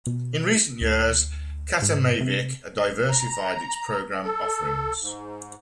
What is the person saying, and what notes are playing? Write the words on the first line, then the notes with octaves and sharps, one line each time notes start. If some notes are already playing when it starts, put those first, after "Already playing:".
In recent years, Katimavik diversified its program offerings.
B2
D2
G#2
C3
A#5
A4
G#2